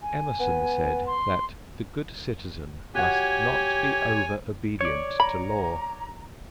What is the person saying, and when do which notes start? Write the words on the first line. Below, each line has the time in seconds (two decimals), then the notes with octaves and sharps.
Emerson said that the good citizen must not be over-obedient to law.
0.02 G#5
0.40 B3
1.07 C6
2.95 F#4 G4 C#5 F#5 G#5
4.81 C#5 D5
5.20 A#5 B5